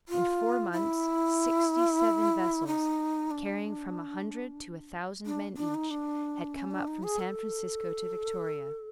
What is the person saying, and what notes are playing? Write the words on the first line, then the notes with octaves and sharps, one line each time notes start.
In four months sixty-seven vessels, carrying from a hundred to a thousand men each, had come up from San Francisco to Victoria.
F4
E4
D#4
D4
D4
D4
D#4
D4
C#4
D4
D#4
G#4
A4